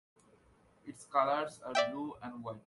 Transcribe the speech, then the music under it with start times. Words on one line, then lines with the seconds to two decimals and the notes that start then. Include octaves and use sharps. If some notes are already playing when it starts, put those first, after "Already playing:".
Its colors are blue and white.
1.75 D5 E5 G5